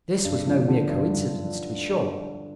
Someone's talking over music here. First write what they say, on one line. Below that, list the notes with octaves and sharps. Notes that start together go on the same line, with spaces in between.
This was no mere coincidence, to be sure.
G2
F3
D3
G2
G2
F3